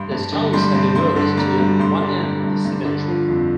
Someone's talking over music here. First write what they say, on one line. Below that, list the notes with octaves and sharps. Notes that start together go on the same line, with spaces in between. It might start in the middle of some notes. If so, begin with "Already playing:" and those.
The stones have been moved to one end of the cemetery.
Already playing: G2 G3 C6
G2
D3
G3 C6
G2
G2 C6
D3
G3 A#5
G2
G2 C6
D3
G3
G2
G2
D3
F3
F2